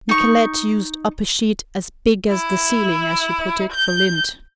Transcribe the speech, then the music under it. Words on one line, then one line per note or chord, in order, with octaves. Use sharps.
Nicolette used up a sheet "as big as the ceiling," as she put it, for lint.
D#4 C#6
E4
G6